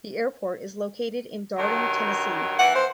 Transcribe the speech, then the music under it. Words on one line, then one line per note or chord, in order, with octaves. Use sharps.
The airport is located in Darden, Tennessee.
G2 D#3 F#3
D#2 E3 F#5
C5